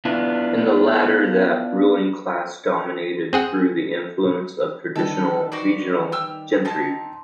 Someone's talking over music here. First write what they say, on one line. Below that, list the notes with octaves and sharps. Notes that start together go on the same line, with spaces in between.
In the latter, that ruling class dominated through the influence of traditional regional gentry.
B3 D4 E4 F4
C4 G#4 F#5
D#3 G3 A4 B4 G5
F#4 C5 D5
G4 E6 F6
C4 D#4 A5